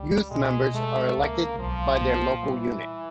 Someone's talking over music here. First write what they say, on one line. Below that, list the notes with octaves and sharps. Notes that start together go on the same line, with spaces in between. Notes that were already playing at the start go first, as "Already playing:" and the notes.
Youth members are elected by their local unit.
Already playing: C#2 G3
B2 G#3
G#3 A3
C#2 A#3
B1 F3
A#2
E3 G3